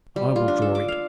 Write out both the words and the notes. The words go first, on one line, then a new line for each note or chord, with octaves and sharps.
"I will draw it."
G3
F4
D4
A4
D6
F5